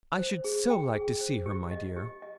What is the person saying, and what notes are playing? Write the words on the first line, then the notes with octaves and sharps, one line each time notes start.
'I should so like to see her, my dear.
C5
G#4
G5
G#4
C5
G4
D#5
G4
D#5